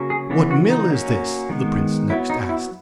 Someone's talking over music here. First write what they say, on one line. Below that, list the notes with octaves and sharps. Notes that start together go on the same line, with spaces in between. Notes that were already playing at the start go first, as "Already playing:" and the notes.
"What mill is this?" the prince next asked.
Already playing: C#3 F#3 A#3 C#4
G#4
C#3 E3 B3
F#4
D#4
F#3 A#3 C#4
D#3 G#3 B3
F#3 B3 E4
D#4
E4